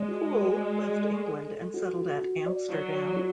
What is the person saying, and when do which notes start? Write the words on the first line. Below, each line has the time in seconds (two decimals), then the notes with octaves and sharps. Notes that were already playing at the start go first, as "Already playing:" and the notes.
Poole left England, and settled at Amsterdam.
Already playing: G#3 D5
0.09 F#4
0.33 F#4
0.57 D5
0.80 D5
1.03 A4
1.27 A4
1.51 A4
1.74 F#4
1.99 F#4
2.21 F#4
2.46 D5
2.69 F#3 F#4
2.92 D5
3.17 F#4